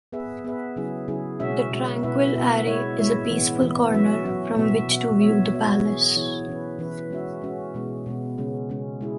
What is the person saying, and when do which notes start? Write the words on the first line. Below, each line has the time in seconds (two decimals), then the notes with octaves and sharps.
The tranquil array is a peaceful corner from which to view the palace.
0.12 B3 G#4 B4 E5
0.45 B3 G#4 B4 E5
0.76 C#3 F#3 C#4 E4 G#4
1.08 C#3 F#3 C#4 E4 G#4
1.40 B2 G#3 C#4 F#4 E5
1.71 B2 G#3 C#4 F#4 E5
2.03 B2 B3 E4 B4 E5
2.35 B2 B3 E4 B4 E5
2.67 G#3 E4 C#5 E5
2.98 G#3 E4 C#5 E5
3.30 E3 B3 E4
3.62 E3 B3 E4
3.93 F#3 C#4 F#4 E5
4.25 F#3 C#4 F#4 E5
4.56 B2 B3 F#4 E5
4.88 B2 B3 F#4 E5
5.20 B3 F#4 C#5 E5
5.52 B3 F#4 C#5 E5
5.84 E3 B3 E4 G#4 C#5
6.16 E3 B3 E4 G#4 C#5
6.47 E3 C#4 E4 B4
6.79 E3 C#4 E4 B4
7.11 G#3 C#4 F#4 E5
7.42 G#3 C#4 F#4 E5
7.74 B2 G#3 B3
8.06 B2 G#3 B3
8.38 C#3 G#3 C#4
8.69 C#3 G#3 C#4
9.01 G#3 E4 G#4